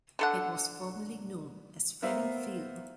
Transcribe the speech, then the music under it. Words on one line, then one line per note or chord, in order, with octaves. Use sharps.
It was formerly known as Fanning Field.
D3 A4 F#5
B3 A#4 C5 E5 F5